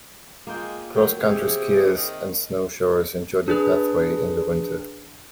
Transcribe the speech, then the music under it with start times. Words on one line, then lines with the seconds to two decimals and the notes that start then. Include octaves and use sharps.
Cross-country skiers and snowshoers enjoy the pathway in the winter.
0.47 G#3 A#3 F4 G5
0.95 F#3 A#4 G5
1.21 C3 C4 G#4 C#5 F5
1.94 D#3 D#5
3.48 D4 G#4 B4